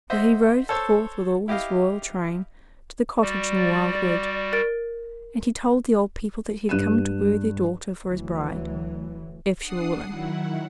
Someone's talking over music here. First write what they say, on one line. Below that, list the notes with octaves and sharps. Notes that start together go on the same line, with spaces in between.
So he rode forth with all his royal train to the cottage in the wild wood; and he told the old people that he had come to woo their daughter for his bride--if she were willing.
C5 D#5 E5 F#5
A4 C5 C#5 A5 E6
E4 G4 D#5 F5
G3 F#4 D5
A#4 A6 D7
G2 F#6 D#7 E7
D2 E3 F#3
D4 F#5 D#6 C7
D#3 F#3 E4 F#5